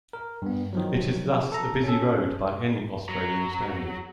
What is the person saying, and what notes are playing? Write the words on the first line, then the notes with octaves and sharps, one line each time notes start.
It is thus a busy road by any Australian standard.
A#4
G2 B3
D#3 F3 F#3
A4 A#5
C#4 A4
F#3